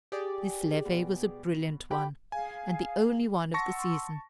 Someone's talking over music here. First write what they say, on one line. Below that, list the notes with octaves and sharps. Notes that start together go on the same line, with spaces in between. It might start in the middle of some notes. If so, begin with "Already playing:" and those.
This levee was a brilliant one, and the only one of the season.
G4 G#4 D5
B2
G4 G5 B5
G#4 F5 G#5
F#5 A5 C6 C#6 E6 A#6